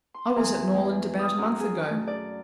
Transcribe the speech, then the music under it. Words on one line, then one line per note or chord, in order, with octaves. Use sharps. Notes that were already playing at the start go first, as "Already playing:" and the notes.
"I was at Norland about a month ago."
C6
E2
G#3
D#6
F#2
G#4
A3
D5